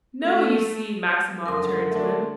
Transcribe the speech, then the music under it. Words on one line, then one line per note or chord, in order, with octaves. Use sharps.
"No, you see," Maximov turned to him.
A3
F#1 D3 A#4 C6 D#6
A3 D4